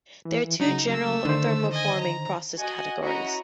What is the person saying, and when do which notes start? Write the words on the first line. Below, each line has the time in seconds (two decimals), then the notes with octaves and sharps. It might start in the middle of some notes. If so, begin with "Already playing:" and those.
There are two general thermoforming process categories.
0.25 E3
0.60 C#3 F#3 D#4
0.89 A3 E6
1.25 D3 D#3 C5
1.72 D#5 G#5
2.01 A#5
2.59 F#4 D#5 F#5 G#5
3.01 C#4 E4 F#4 D#5 A#5